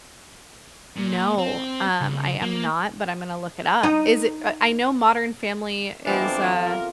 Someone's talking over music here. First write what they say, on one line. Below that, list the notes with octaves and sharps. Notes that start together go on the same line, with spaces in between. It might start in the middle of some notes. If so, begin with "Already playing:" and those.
No, um, I am not, but I'm gonna look it up. Is it, uh I know Modern Family is a
A#2
C4
C#2
A#3
D#4
B2 E3 F3 C4 D4
C3 A4 D6
F4
A#4